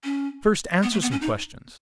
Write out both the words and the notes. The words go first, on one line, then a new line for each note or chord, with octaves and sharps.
First answer some questions.
C#4
B3
A3
B3
C#4
D#4